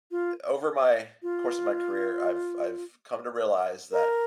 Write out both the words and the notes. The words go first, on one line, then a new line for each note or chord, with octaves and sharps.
I over my course of my career, I've I've come to realize that
F4
F4
A#4